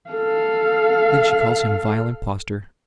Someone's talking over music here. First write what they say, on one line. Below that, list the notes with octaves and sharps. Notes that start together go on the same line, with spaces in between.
Then she calls him vile impostor.
A4 F5